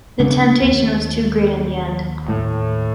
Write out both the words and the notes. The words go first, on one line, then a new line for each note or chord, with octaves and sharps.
The temptation was too great in the end.
D2 C#3 D4
D#2
A2